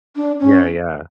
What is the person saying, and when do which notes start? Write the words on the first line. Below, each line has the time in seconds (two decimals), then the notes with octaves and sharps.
Yeah. Yeah.
0.16 D4
0.40 C#4